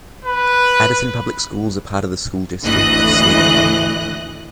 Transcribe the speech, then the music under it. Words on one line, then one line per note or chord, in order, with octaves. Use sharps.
Addison Public Schools are part of the School District of Slinger.
B4
G#1 D2 E3 D#5 F#6